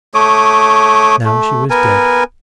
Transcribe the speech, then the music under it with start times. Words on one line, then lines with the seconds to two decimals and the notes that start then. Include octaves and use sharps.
Now she was dead.
0.14 A3 C#5 D6 D#6
1.25 A3
1.70 B3 A#4 G#5